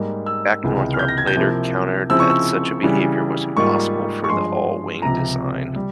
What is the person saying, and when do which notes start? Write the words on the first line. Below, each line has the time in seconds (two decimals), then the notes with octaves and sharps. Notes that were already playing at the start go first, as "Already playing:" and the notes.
Jack Northrop later countered that such a behavior was impossible for the all-wing design.
Already playing: G#2 G3 A#3
0.26 E6
0.64 C#2 C3 E3 G#3
0.94 F6
0.99 G6
1.08 A#6
1.18 G#6
1.27 G6
1.36 C3 F3 A#3 E4
2.10 C#3 F3 C4 E4 E6
2.20 C#6
2.30 E6
2.83 C#3 E3 G3
3.57 G#2 G3 A#3 F4 C#6
4.24 C#6
4.29 G2 F3 G#3 C6
5.02 C#2 C3 F3 A#5
5.76 G3